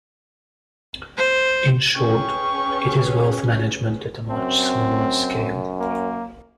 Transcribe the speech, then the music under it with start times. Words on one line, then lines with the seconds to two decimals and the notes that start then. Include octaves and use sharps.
In short, it is wealth management at a much smaller scale.
1.17 C5
1.96 C#4 G#4 B4 G5 C#6
4.31 F#2 C4
5.80 A#3